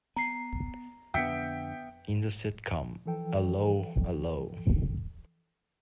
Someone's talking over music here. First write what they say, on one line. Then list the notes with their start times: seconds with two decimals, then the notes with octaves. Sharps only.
In the sitcom 'Allo 'Allo!
0.16 B3 A#5 C7
1.14 F2 D3 B3 D4 E5 G5 B6 C#7
3.06 E3 F3 A4 G5